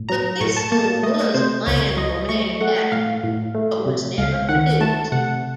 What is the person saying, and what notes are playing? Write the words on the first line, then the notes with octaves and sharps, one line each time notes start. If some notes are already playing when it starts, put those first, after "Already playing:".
The pistol was planned for manufacture but was never produced.
Already playing: A2
F#3 A#5
A2 C#6
A5
A#3 A5
A3 D#5
C3 C5
C#2 C#5
F#3 D#5
A3 C#6
A3 F#5
A2 F5
A2
A3
C3
C#2 F5
D#3 F#5
A3 A5
C3 F#5